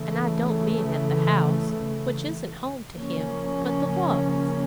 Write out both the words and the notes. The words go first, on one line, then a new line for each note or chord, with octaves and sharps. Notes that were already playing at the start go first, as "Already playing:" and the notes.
And I don't mean at the house, which isn't home to him, but the Works.
Already playing: C#3 E3 A3
C#3 F3 A#3 C#4